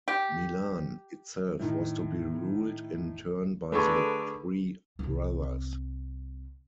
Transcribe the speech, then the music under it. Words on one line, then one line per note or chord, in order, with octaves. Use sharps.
Milan itself was to be ruled in turn by the three brothers.
G4
A2 D#3
D3 A3 G#4 B4 C#6
C2 C4